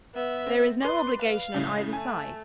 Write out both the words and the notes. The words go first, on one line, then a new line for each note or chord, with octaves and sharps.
There is no obligation on either side.
B3 E5
C4
B4 D5 C6
F5
A2 C#3
A3 G#5